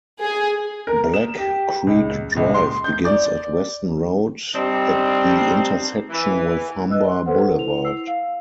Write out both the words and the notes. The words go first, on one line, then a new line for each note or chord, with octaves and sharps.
Black Creek Drive begins at Weston Road at the intersection with Humber Boulevard.
G#4
A#4
E7
G4
C#2
C#2
C6
G6
D5
G3 C4 D4 D#4
E3
B4 D#5 E6 F#6
C6
A4 B4 C5 F#5
E4 F7
E6 C7
F5